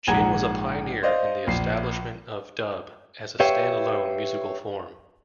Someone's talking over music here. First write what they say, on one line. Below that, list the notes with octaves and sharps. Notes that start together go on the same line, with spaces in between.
Chin was a pioneer in the establishment of dub as a standalone musical form.
A#1 G#2 G#4 F#5 A#5 G#6
C5 D5 D#5 F5
A#1 C7
G4 B4 C#5 E5 F5 G5